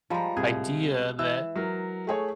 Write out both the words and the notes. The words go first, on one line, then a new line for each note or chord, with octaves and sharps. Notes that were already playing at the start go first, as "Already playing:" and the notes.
idea that
F3 G3 G#3 A5 A#5
C2 G#4
E3 E6
F#3 A#4
A3 G#4 C#5